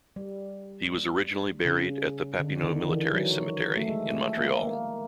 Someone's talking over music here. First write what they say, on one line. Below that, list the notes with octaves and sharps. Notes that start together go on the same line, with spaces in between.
He was originally buried at the Papineau military cemetery in Montreal.
G3
C#3
D3
D#3
E3
F#3
A3
G#3
A3
A#3
A#3